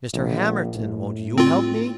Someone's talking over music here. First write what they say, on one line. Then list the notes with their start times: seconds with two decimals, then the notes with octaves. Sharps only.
"Mr. Hamerton, won't you help me?"
0.13 A#1
0.74 A2
1.38 C4 F4